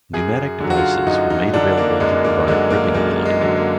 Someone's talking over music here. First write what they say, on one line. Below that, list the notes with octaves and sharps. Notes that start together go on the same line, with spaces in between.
Pneumatic devices were made available to provide gripping ability.
F#2 G#4
D3 F#3
F#4
F4
F#2 D#4
D#4
D3 F#3 D4
A#3
F#2 G#3
A#3
D3 F#3 G#3
A#3
F#2 A#3
G#3
D3 F#3
A#3